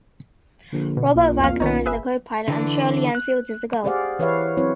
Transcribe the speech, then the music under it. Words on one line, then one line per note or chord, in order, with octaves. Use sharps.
Robert Wagner is the co-pilot and Shirley Anne Fields is the girl.
A#1 D3
B2
B1 A#2
E2 F3 F5
B1 D#3 C#4 D#4
G1 G#4 B4 E5
D3 E3 D4
F#6
G4 G#4 C5 D5 F5 F#5
E3 B4 C#5 E5 F5
F#3 C4 E4 C5 C#5